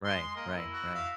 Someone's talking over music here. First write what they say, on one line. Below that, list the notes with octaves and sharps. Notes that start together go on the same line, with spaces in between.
Right, right, right.
G#3 C6
A#3 D#5
E4
F#4
E5 F5